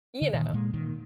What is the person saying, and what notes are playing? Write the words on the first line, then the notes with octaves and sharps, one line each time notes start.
you know,
D3
A#2 D#3
A#2 G#3
A#2 D#3